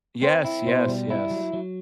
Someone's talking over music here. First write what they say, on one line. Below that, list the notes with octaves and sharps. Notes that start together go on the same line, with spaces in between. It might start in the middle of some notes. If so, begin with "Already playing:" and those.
Yes, yes, yes.
C4 C5
E4
B2 C5
G3
E4
F#3
F#3